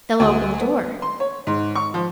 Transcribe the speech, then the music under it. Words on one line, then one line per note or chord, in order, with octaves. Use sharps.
"They'll open the door."
D2
B3
C6
C#5
G#2
C#6
F3